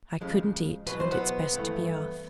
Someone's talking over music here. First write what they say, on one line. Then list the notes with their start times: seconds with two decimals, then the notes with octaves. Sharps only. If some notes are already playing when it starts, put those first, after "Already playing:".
I couldn't eat, and it's best to be off.
0.21 F2 C#3 F3 G#3
0.86 E2 B2 F#3 B4
1.00 C5
1.12 B3 B4
1.53 G2 E3 A3